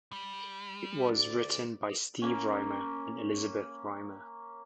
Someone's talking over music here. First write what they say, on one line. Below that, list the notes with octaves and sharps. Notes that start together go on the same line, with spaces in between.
It was written by Steve Rhymer and Elizabeth Rhymer.
G3
D2 D5
A#3 C#4